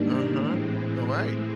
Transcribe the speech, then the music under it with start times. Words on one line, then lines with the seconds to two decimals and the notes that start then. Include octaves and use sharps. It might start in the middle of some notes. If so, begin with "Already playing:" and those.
Uh-huh. Alright.
Already playing: G#2 D#3 G3 A#3 D4
0.35 A2 E3 G#3 C4